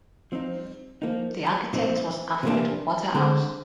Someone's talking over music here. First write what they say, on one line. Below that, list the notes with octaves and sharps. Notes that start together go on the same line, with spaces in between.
The architect was Alfred Waterhouse.
F3 C4 D#4
F3 A#3 D#4
A#2 F3 C4 D#4
C3 F3 A#3 D4
D3 G#3 C4